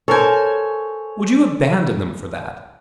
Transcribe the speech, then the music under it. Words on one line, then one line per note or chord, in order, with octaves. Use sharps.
Would you abandon them for that?
A4 A#4 C5 C#5 G#5